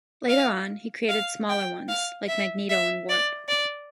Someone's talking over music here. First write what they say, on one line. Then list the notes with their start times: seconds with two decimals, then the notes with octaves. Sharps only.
Later on, he created smaller ones -like Magneto and Warp.
0.29 F5
1.09 F5
1.49 G5
1.89 F5
2.28 E5
2.69 E5
3.10 D5
3.49 D5